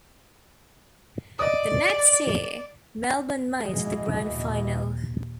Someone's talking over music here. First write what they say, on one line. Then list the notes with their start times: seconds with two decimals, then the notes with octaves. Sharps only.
The next year, Melbourne made the Grand Final.
1.39 D5 D#5 D#6
3.64 B2 E3 F3 G#3 D#5
4.24 A#1 D#2